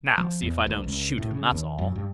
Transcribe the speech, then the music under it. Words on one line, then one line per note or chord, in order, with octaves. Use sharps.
'Now see if I don't shoot him, that's all.'
F3
E2
D2
C#2
A2
C#3
D#2
F#2
G2